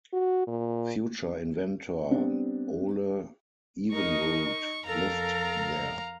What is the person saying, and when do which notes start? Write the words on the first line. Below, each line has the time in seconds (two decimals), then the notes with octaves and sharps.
Future inventor Ole Evenrude lived there.
0.13 F#4
0.47 A#2
2.11 G3 B3 C4 D4
3.93 D#4 A#4 D#5 C#6
4.86 F2 A4 A#4 F5 A#5